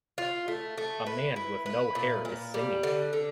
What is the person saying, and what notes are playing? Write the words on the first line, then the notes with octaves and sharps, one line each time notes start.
A man with no hair is singing.
F4
A3
A3
B4
E4
B4
A#2
A#2
G3
D3
D3